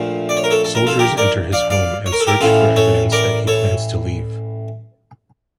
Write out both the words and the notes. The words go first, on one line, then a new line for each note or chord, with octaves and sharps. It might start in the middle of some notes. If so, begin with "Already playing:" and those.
Soldiers enter his home and search for evidence that he plans to leave.
Already playing: A#1 A#2 F3 A3
D5
C#5
A#4
A4 C#5
A4
A#4
F4 A4
G4 A#4
A#4 D5
D5 F5
D5 F5
C#5
A#4
A4
G4 A#4
A1 A2 E3 F4 A4
A4 C#5
A#4 D5
A4 C#5